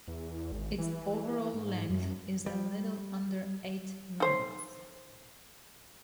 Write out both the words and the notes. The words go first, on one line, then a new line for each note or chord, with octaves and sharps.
Its overall length is a little under eight minutes.
E2
G#1
E3
G#2
F#2
G3
D#4 C5 C#5